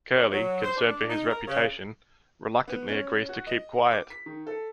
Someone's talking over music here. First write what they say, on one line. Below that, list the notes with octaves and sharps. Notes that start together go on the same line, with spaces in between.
Curley, concerned for his reputation, reluctantly agrees to keep quiet.
F#2
F#3
C5
D4
D#4
A#4
C#3
B3
C#4
F#4
D#5
D6
B6
D#3
A4